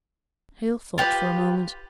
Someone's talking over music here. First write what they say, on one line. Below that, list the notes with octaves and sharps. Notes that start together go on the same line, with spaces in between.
Hale thought for a moment.
F4 G4 B4